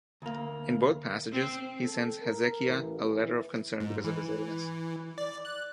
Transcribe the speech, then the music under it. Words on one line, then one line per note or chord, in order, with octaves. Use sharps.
In both passages he sends Hezekiah a letter of concern because of his illness.
D2 A#3
C4
A4
A#4
A1
E3
G#2
E3
D5
F#6